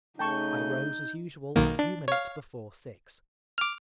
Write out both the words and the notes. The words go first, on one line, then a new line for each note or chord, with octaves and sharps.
I rose as usual a few minutes before six.
C#3 A3 D#4 G5 A5 C#6 G6
B1 D#3 A#3
D4
C#5 F5
D6 F6